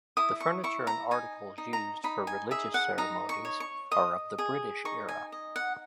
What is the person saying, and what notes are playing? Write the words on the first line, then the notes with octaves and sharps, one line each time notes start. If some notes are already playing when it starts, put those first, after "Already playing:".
The furniture and articles used for religious ceremonies are of the British era.
E4 D#6
C#6
E4 C#6
A#5
D#4 G#5
D#4
A#5
D#4 B5
G#5
G#4 E5
F#5
D#4 A#5
C#6
C#5
C#6
D#5 D#6
G#4
D#4 C#6
G#5
D#5
F#5